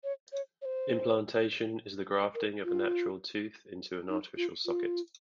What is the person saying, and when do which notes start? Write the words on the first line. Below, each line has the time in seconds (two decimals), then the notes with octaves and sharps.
Implantation is the grafting of a natural tooth into an artificial socket.
0.04 C#5
0.32 C#5
0.62 C#5
0.65 C5
2.35 A#4
2.64 F4
4.08 D#4
4.37 F4
4.66 F4